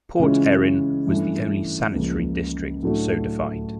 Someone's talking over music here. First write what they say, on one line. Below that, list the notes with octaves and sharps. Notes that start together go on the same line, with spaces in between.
Port Erin was the only sanitary district so defined.
C#3 E3 G#3 C#4 F4
G2 E3 A3 C#4
C#2 C#3 F3 A#3
A2 F#3 A3 D4